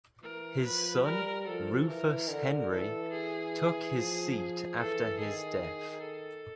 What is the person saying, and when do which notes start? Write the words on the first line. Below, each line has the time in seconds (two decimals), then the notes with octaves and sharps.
His son, Rufus Henry, took his seat after his death.
0.22 E3 A#4
0.63 F3 B4
1.05 G3 A#4
1.46 F3 A4
1.88 E3 A#4
2.30 D3
2.70 E3 A4
3.12 G#4
3.95 F3
4.77 E3 A4
5.18 D#3 G#4
6.01 A4